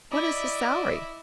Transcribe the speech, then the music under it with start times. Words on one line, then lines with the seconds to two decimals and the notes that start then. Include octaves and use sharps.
"What is his salary?"
0.12 E4 D5 D#5